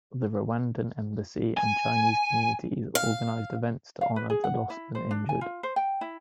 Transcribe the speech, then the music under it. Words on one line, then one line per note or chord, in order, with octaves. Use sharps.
The Rwandan embassy and Chinese communities organized events to honor the lost and injured.
G#5
F5
F5
B4
G#4
F#5
E4
C5
D4
G#5
F4
C5
G5
E4